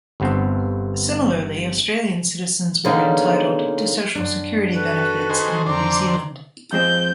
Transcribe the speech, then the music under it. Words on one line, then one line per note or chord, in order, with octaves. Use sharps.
Similarly, Australian citizens were entitled to social security benefits in New Zealand.
G1 G2 B3 C4
B2 D3 G#3 A#3 C#4 D#4
F#2 D4
F#4 A4 B4
D#3 G#4 C5
F2 D3 C5 G5 A#5 D6
F2 G#3 C4 G6